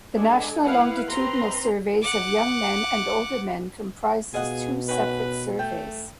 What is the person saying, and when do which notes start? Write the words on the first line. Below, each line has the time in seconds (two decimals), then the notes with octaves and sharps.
The National Longitudinal Surveys of Young Men and Older Men comprises two separate surveys.
0.14 G#3 D4 A4 G#5
0.65 E4 B4 F5 F#5
1.07 C4 B4 A#5 C6
2.02 F#5 D6
4.34 B2 F4 G#4 D#5 F#5
4.88 D#3 C#4 F#4 B4
5.59 A3 G5